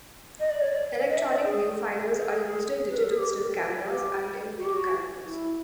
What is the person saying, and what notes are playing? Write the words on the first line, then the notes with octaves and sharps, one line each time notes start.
Electronic viewfinders are used in digital still cameras and in video cameras.
D#5
D5
C#5
D5
D#5
E5
D#5
D5
G#4
G#4
A4
G#4
B4
A#4
A4
G#4
G4
G4
F#4
G4
F#4
E4